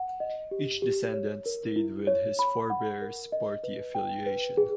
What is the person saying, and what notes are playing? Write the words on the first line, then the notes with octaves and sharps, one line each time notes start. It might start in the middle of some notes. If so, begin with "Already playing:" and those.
Each descendant stayed with his forebear's party affiliation.
Already playing: F#5
D#5
G4
G4
C#5
A#4
E4
C#5
B5
F#5
A#4
D#5
B4
G5
B4
G#4